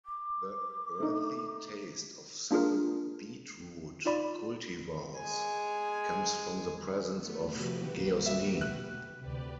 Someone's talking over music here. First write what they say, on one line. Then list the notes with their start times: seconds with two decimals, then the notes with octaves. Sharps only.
The "earthy" taste of some beetroot cultivars comes from the presence of geosmin.
0.06 D6
1.00 A3 D#4
2.51 A#3 D4 F4 G#4 A#4
4.05 D#4 F4 D5 B5
5.17 G#3 G#5
7.15 A3 B3
7.53 C3 F3 F#4 G4 B4
7.92 B1 G3 A#3
8.26 E5
8.61 B2 F#6
9.22 D2 C3 G4 B4 D5